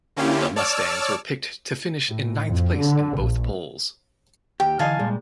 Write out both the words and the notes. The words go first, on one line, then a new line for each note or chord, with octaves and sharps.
The Mustangs were picked to finish in ninth place in both polls.
D3 A#3 C#4 E4 F4 G4
C#5 D5 A5 D6 E6 F6
A2
F2
D3
A#1
D#2 G4 G5
D3 E3 D#5 F5 G#5 A5
A#2 G3 G#3